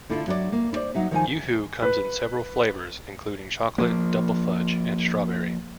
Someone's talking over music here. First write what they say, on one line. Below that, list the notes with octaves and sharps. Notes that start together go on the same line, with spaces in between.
Yoo-hoo comes in several flavors, including chocolate, double fudge, and strawberry.
D3 A3 E4 F4
F#3 D4 B4 D5
A#3
E4 C5 D5
F#3 D#4 E5
D#3 F3 D#4 G#5
B4
F3 A#3